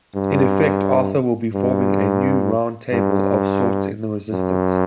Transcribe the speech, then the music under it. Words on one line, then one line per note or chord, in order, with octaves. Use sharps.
In effect, "Arthur" will be forming a new "roundtable" of sorts in the resistance.
G2
G2
G2
F#2